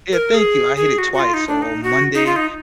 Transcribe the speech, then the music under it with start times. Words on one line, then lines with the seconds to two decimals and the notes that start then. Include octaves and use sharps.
Yeah. Thank you. I hit it twice. So on Monday,
0.12 A#4
0.34 G#4
0.76 G#4
0.98 F#4
1.13 F#4
1.19 F4
1.34 D#4
1.48 D4
1.62 D#4
1.83 F#4
2.14 D#4
2.26 F4
2.36 D#4